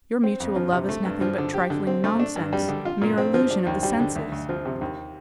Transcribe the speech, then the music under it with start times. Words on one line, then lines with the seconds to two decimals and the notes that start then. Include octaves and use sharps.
Your mutual love is nothing but trifling nonsense, mere illusion of the senses.
0.24 C4
0.40 F2
0.56 F3
0.72 C3
0.89 A3
1.05 G2
1.21 F3
1.38 D3
1.54 G4
1.70 D3
1.87 C4
2.04 A3
2.19 D4
2.36 G2
2.53 G3
2.69 D3
2.85 F4
3.02 A#2
3.18 C4
3.34 F3
3.51 D4
3.67 D#2
3.83 G3
4.00 D3
4.16 D2
4.32 D2
4.49 F3
4.66 C3
4.81 D#2